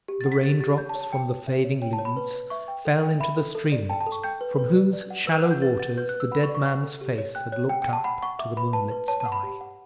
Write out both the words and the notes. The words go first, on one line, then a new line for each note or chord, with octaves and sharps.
The rain-drops from the fading leaves fell into the streamlet, from whose shallow waters the dead man's face had looked up to the moonlit sky.
G4
A6
F#5
B6
G4 A6
G4 A6
C#5 G6
A5
C#5
A5
G5
C#5
E5
C#5
C#5 G5
A5
C#5
B5
B4
B4
E5 C#6
G5
A4
G5
E5 B5
A4
A4
D5
G5 A5
A5
A4
C#6
G5 G6
B4
B4
D5
D5
F#5
B4 E6
F#6
F#5
G6
B4 A6
F#5 A6
B4 G6
F#6
B4
E6
F#5 B5
C#6
D5
C#6
F#5 C#6
A4
G4
C#5
G5 F#6
C#5 F#6
F#5 G5
G5
F#5
A5
F#5 B5
F#5 C#6
E5 D6
B4 B5
B4 A5
B4
C#5 A5
A5
F#5
B5
G4
F#5